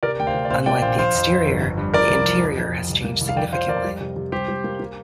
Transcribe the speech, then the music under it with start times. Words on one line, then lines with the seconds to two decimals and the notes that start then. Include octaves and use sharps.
Unlike the exterior, the interior has changed significantly.
0.03 C3 A#4 D5
0.19 D2 G5
0.27 C5 F5
0.34 C3
0.45 D5
0.50 A#2 C5 F5
0.66 A#3 D5 G5
0.82 A#1 C5 F5
0.98 F3 C5 F5
1.15 F2
1.30 F2
1.46 G1
1.62 G1
1.78 G2
1.93 F3 A#4 D5
2.10 C2
2.25 F3
2.41 F2
2.58 F2
2.73 F2
2.89 C2
3.04 A#3
3.21 C2
3.29 F5
3.36 F2 D5 G5
3.52 F3 C5 F5
3.68 F2 A#4 D5
3.84 G3
4.01 C3
4.16 C3
4.32 G3 G4 C5
4.48 G3
4.64 A#3
4.80 A#3